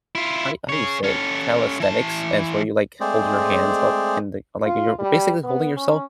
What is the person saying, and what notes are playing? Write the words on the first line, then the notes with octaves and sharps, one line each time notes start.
how do how do you say it? Calisthenics, and it's where you, like, hold your hands up in the like, you're basically holding yourself
E4 F4
G#4 C#5
C#4 A4
E3 A5
G#3 A3 C4 G#4 C5 D5
F4
G3
B3
C#4